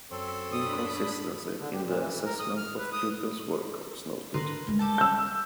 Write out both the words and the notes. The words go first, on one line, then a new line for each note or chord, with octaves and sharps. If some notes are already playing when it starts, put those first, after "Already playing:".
Inconsistency in assessment of pupils work was noted.
F#2 C4 A4 C#5
D4 B5 D#6
D3
G4
A#2
E3
E3
A#4
D#6
F6
B4
D#6
D3 A#4 B4 C6
D4
G3 G#3
G4 A4 A5
E6 G6